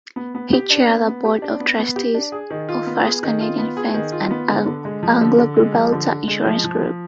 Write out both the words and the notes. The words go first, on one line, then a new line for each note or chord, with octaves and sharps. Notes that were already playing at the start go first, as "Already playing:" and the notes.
He chaired the board of trustees of First Canadian Funds and AngloGibraltar Insurance Group.
B3
B3
G4
D4
B3
B3
G4
D4
B3
B3
G4
D4
G#4
D#3
F4
B3
G#4
D#3
F4
B3
G#4
D#3
F4
B3
D3
D3
G#3
F3
D3
D3
G#3
F3
D3
D3
G#3
F3
F3
F3